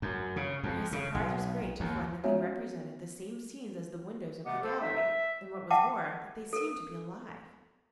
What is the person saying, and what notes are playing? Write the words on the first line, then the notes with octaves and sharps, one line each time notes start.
But his surprise was great to find that they represented the same scenes as the windows of the gallery, and what was more, that they seemed to be alive.
F#2
C#3
F2
C#3
B1
D#2
G#3 B3 C#4 F#4 C#5 E5
C3 A3 B3 D#5 F#5 D6
G4 A4 C5
D#4 E5
E5
E5 F#5 G5 A5 D6
A4 A#4